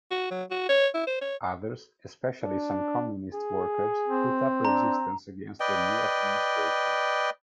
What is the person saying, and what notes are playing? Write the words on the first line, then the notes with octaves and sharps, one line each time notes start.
Others, especially some communist workers, put up resistance against the new administration.
F#4
F#3
F#4
C#5
E4
C5
C#5
D4
G#4
C4
D4 A#5
B4 D5 D#5 G5